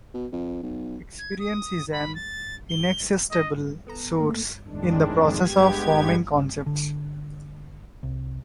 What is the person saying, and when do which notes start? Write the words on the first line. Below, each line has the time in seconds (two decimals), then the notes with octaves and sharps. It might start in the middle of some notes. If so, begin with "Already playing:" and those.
Experience is an inexhaustible source in the process of forming concepts.
0.14 B2
0.32 F2
0.62 B1
1.18 G#6
1.39 D#6
1.92 B5
2.14 A6
2.69 G7
3.31 D#5
3.87 B3 A4 A#5
4.20 A3 A#3
4.66 F2 A2 D#3 G#3 D4
5.43 G2 G#3 B3 G4 G#6
6.66 D3
8.03 C2